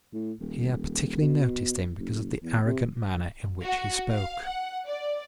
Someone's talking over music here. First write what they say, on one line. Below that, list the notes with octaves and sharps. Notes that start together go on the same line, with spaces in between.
He had particularly noticed him because of the arrogant manner in which he spoke.
A2
D#1
B2
F#1
E2
C3
F#4
F5
F#5
D5